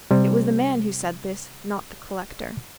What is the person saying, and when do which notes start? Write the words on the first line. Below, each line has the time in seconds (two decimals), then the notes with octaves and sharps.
It was the man who said this, not the collector.
0.11 C3 G3